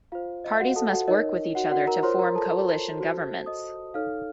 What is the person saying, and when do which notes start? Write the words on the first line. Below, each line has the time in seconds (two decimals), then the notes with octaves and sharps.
Parties must work with each other to form coalition governments.
0.12 F4 C5 F5
0.44 D#5
0.52 F5
0.60 F#4 F#5
0.76 A4 A5
0.92 F#4 F#5
1.08 D#4 A#4 C#5 D#5
1.55 F#4 F#5
1.72 F#4 F#5
1.87 A#4 A#5
2.03 F4 A#4 C5 C#5 C6
2.19 A#4 A#5
2.35 A4 A5
2.99 F#4 C5
3.46 D#5 D#6
3.94 D#4 A4 C#5 F5 F6